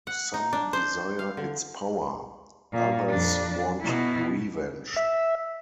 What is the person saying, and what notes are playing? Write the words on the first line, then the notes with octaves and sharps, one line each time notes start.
Some desire its power, others want revenge.
F#5
D#4
D4
C5
F5
D3
A#2
F2 D4
B2 E4
E5